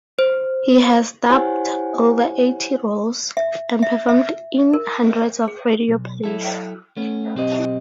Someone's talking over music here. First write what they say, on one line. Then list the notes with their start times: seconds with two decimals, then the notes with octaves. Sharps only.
He has dubbed over eighty roles and performed in hundreds of radio plays.
0.19 C5
1.29 E4 G4 C5 C#5 F#5 G#5
3.37 E5
3.83 E5
4.09 E5
4.73 A#4
5.48 G#4
5.88 B1
6.24 F#3 E4 A4
6.97 A3 B3 C#4
7.35 B1 C4 G4 D#5